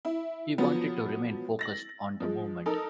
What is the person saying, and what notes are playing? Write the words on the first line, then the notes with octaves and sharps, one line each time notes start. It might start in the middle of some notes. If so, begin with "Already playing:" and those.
He wanted to remain focused on the movement.
E4
F3 F#3 B3
A6 A#6 F#7
F3 G#3
D#4 A4 A#4